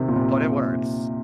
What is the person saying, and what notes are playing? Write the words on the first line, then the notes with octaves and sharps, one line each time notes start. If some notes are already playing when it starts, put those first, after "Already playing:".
but it works.
Already playing: C3 D#3
A#2
C3